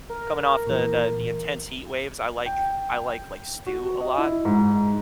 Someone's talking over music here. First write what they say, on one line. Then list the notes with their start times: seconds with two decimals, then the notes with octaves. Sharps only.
coming off the the the intense heat waves, I like I like, like, stew a lot
0.09 A#4
0.67 A#2 E3
2.46 G5
3.66 F#4
4.01 D#5
4.18 E4
4.45 G#2